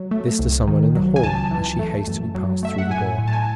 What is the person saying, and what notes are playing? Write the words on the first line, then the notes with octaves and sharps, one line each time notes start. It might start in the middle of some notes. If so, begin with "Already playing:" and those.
This to some one in the hall as she hastily passed through the door.
Already playing: F#3
A3
C2
D#3
F#3
G#5
C#2 A5
E3
A3
F#2
F#3
A3 E5
F#5
A2 G#5
A2
A5
G#5